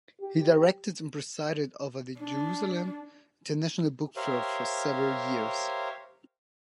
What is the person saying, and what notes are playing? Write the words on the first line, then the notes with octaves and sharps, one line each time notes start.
He directed and presided over the Jerusalem International Book Fair for several years.
G4
D4
G4 A#4 C5 C#5 E5 F5